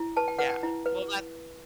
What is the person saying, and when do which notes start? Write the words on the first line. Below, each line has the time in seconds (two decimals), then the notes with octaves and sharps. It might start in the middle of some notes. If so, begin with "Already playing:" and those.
Yeah, well, that's
Already playing: E4
0.17 B4 A5
0.28 G5
0.39 B4 F#5
0.49 G5
0.63 E4
0.86 B4